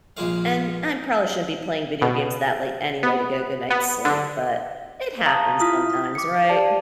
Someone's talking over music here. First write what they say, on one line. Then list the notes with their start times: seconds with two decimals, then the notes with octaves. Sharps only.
and I'm probably shouldn't be playing video games that late anyway to get a good night's sleep, but it happens sometimes, right? Mm.
0.17 A#1 A#2 G#3 F5
2.02 B2
3.03 B3
3.70 B3
4.05 D3
5.26 F5 A5 A#5 C#6 D#6
5.60 E4 F4 D#6 F6 B6
6.15 D6 C#7
6.49 G4 D5 A5